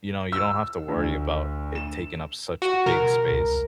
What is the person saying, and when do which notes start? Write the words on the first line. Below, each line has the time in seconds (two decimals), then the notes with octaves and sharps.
you know, you don't have to worry about it taking up such big space.
0.32 E6
0.88 D2
1.75 E7
2.62 F#4
2.86 B2 A#4
3.33 C#2